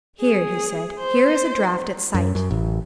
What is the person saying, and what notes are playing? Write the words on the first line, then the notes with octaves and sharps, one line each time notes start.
"Here," he said, "here is a draft at sight."
G#4
C5
F#2
F#2
A1